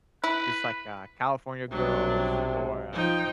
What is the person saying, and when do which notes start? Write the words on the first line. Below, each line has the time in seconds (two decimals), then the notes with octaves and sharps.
just like, uh, California Girls or, uh,
0.24 E4 B4
1.70 B1 C3 F#3 G3 D4
2.93 F3 D#4 G5